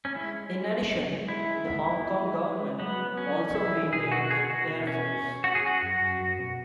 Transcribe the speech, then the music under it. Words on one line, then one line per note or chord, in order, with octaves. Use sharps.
In addition, the Hong Kong Government also maintained an "airforce".
C#4
G#3 E4
G#3
F#3
G#3
E4
B3
G#3
F#3 B3
C#4
F#3 E4
E3
B2 G#4
F#4
G#4
F#4
C#4
F#4
G#4
F#4
F#2 F#4
F#2
F#2
B2